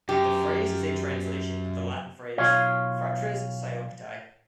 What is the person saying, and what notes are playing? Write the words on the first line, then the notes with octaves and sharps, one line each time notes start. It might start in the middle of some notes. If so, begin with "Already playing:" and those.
The phrase is a translation of the Latin phrase "fratres seiuncti".
F#2 G4
B1 F4 C#5 F5